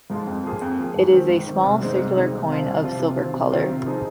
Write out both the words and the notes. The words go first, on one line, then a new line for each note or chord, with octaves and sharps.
It is a small, circular coin of silver colour.
G#2 F3 G#3 F4
F2
F3 A#3 G#4
F2
F3 A#3 G#4
G#2
D#3 C4
G#2
D#3 C4
C2
C3 G#3 C4 D#4
C2
C3 G#3 C4 D#4
C2
C3 F3 C4 F4
C2
C3 F3 C4 F4
C3
D#3 C4 F4
C3
D#3 C4 F4
C3
F3 C4 D#4 G#4